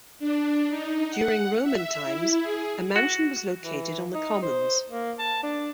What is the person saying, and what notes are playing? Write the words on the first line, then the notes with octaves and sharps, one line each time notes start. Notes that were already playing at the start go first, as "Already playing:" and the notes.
During Roman times, a mansion was located on the commons.
D4
D#4
F#5
E5
E4
G#4
F#4
E3
D#4
C5
A#3
A5
D4